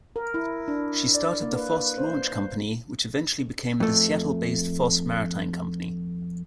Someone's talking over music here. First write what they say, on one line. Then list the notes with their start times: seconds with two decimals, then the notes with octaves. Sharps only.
She started the Foss Launch Company, which eventually became the Seattle-based Foss Maritime Company.
0.16 A#4
0.34 E4
0.68 D4
1.14 D5
1.42 A#3
1.56 B4
1.77 B4
1.98 C5
3.80 F2 A3